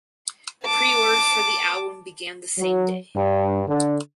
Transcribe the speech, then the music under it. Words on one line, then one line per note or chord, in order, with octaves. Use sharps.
Preorders for the album began the same day.
A5 D6
F#3
G2
D3